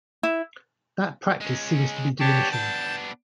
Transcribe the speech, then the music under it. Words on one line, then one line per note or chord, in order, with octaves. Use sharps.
That practice seems to be diminishing.
E4
G#3 C#4
B3 D4 G4 C#5 A5
A5 G6 A6